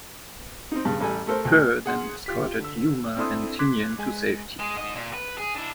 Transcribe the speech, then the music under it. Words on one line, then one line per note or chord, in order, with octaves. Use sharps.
"Fir" then escorted "Yuma" and "Tinian" to safety.
C4 D#4
G2 C#3
A1 G3 A4 G#5
A3 A4 A#4 C5
D2
G#4 F#5 C6
F4 G4 B6
D3 E6
C4 D4 E4 A4 C6 D#6
C6 D6 F#6 G#6 B6
G#3 G#5
G#3
G#2 D#5
A#2
B4
G#4
D4 E4